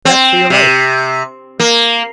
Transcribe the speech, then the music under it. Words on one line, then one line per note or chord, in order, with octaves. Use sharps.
"Back for your life!"
C4
C3
A#3